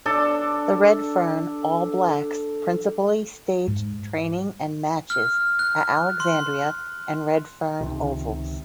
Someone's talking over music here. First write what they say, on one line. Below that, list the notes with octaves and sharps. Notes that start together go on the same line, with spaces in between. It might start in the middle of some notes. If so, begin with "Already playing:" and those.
The Redfern All Blacks principally staged training and matches at Alexandria and Redfern Ovals.
D4 A4
G#2
F6
F#6
C6
C#2 C3 D#3